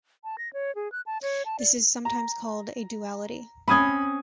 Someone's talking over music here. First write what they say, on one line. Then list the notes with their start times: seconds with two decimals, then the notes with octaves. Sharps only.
This is sometimes called a duality.
0.24 A5
0.38 A#6
0.53 C#5
0.75 G#4
0.92 F#6
1.06 A5
1.22 C#5
1.45 A5
1.59 D5
2.05 A#5
3.68 C4 C#4 B5 D#6 G#6